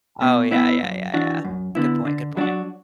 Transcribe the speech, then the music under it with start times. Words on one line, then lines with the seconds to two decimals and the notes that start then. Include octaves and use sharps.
Oh, yeah, yeah, yeah, yeah. Good point. Good point.
0.22 B2
0.51 B3 E4
0.83 F#2
1.14 E3 D4 F#4
1.45 F#2
1.75 D3 B3 E4
2.05 D3
2.37 F#3 D4 F#4